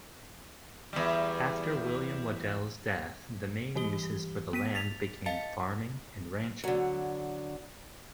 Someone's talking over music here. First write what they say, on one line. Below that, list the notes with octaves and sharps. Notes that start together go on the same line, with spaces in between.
After William Waddell's death, the main uses for the land became farming and ranching.
E2 G3
E3 G3 G4 G7
B3 B6 D#7
A6 B6 F7
D#5 F5 A5 A6 C#7
D3 F#3